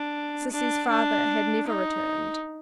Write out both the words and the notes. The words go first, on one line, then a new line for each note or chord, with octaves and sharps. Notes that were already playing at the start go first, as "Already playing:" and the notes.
Sissy's father had never returned.
Already playing: D4
D4
D4
D#4